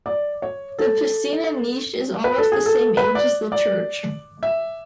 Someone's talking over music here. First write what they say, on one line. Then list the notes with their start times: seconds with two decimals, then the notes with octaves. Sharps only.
The piscina niche is almost the same age as the church.
0.06 D5
0.42 C#5
0.79 A4
2.24 B4
2.38 A4
2.52 G#4
2.66 A4
2.97 B4
3.15 D5
3.52 D5
4.43 E5